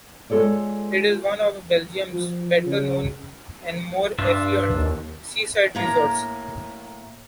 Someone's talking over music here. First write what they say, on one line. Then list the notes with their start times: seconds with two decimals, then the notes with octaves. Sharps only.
It is one of Belgium's better-known and more affluent seaside resorts.
0.30 G#3 F4 A4 C#5 D5
2.13 F3
2.66 C#3
4.19 G2 D4 F4 E5
4.75 D#2
5.75 A2 A#3 A#5